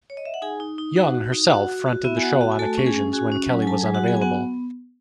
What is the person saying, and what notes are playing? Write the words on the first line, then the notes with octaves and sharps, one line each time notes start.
Young herself fronted the show on occasions when Kelly was unavailable.
C#5
D#5
E5
F#5
D#4 G#4 G#5
D#4
D#4
D#4 F#4 F#5
F#4
D#4
F#4 F#5
F#4
F#4
B3 E4 E5
G#5
F#4 F#5
F#4
G#5
A3 A4 A5
C#4
G#4 G#5
C#4
F#4 G#4 G#5
C#4
F#3
G#5
F#3 A4 A5
G#4 G#5
F#3
F#4 F#5
B3 G#4 G#5
G#5
B3 F#4 F#5